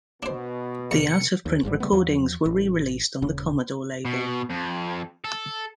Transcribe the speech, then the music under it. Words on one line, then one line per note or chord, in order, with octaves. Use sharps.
The out-of-print recordings were re-released on the Commodore label.
B2 D4 C5
E2 C3 F3 A#3 C#7
D#2
G1 G#2 C3 G3
C#3 G3 A3 B3
E2 F3 F#3
A1
D#1 C#3
B2
F2
A4